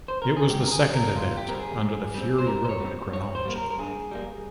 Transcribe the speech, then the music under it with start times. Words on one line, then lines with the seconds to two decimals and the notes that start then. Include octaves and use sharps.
It was the second event under the Fury Road chronology.
0.08 C5
0.22 A#4
0.37 G#4
0.50 G#2 G4
0.65 A#4
0.72 G#4
0.83 G3 C4
0.94 A#4
1.15 G#2 F4
1.37 G4
1.48 G3 C4 A#4
1.60 G#4
1.82 G#2
2.14 G3 C4
2.38 C5
2.47 G#2 A#4
2.65 C5
2.69 C#5
2.80 G3 C4
3.13 G2 C#5
3.35 C5
3.45 G3 A#3
3.56 A#4
3.70 A#4
3.78 G2 G#4
4.11 G3 A#3